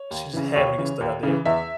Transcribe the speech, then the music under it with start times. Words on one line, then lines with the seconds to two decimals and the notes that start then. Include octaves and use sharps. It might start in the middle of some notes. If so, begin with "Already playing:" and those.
She just happened to get stuck out there,
Already playing: C#5
0.11 D#2
0.33 C#3 E3
0.56 D#2 C#5
0.78 C#3 E3
1.01 D#2
1.23 C#3 E3
1.45 E2 E5